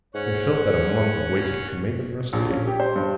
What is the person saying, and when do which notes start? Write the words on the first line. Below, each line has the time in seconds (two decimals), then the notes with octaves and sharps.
They felt that a month of waiting had made them rusty.
0.15 G#2 C#4 C#5 F#5
2.33 A#1
2.50 C#4
2.67 G4
2.80 C5
2.96 G2